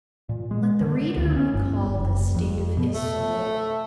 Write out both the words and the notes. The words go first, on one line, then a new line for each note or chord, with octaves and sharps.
Let the reader recall the state of his soul.
A#2
G#3
D3
D2
C#4
G1
F#1
F2
B2
A3